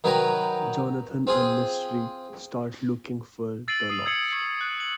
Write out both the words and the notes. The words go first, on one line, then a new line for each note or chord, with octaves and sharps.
Jonathan and Mystery start looking for "The lost".
D#3 F#3 B4 C#5 G5 A#5
C4 F4 G#4
E6 A6 C7 D7 D#7 F#7
D#6 A6 C7 D#7
D#6 E6 G#6 C7 C#7 F#7
C#6 G#6 C7
F#6 G#6
F#7